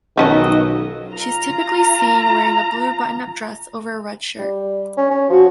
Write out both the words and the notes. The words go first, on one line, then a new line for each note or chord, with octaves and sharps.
She is typically seen wearing a blue button-up dress over a red shirt.
B1 D#3 F3 F#3 C#4 D#5 A5
F4 A#5
G3
C#4
C#4
F3 F#4